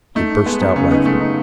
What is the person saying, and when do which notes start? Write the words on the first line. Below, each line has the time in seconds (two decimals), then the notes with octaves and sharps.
He burst out laughing.
0.15 A3 D#4
0.31 D#4
0.46 G#3 B3
0.62 F#2
0.76 C#3 C#4
0.91 B3 D#4
1.06 G#3 A3
1.21 D#4